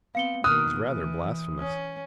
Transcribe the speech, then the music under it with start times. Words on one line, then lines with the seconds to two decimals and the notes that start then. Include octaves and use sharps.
He's rather blasphemous.
0.15 B3 C4 F5 C#7 G7
0.44 B2 D#3 A#3 D#6 F6 F#6
0.87 E3
1.59 C#4